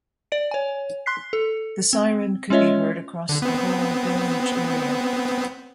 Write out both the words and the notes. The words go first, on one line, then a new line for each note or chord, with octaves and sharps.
The siren could be heard across the whole village area.
D5 D7
C#5 G#5
C6 F#6 B6 C7
A4
C4
G#3 C#4 F4 C#5 D#5 E5
D3
B3 C4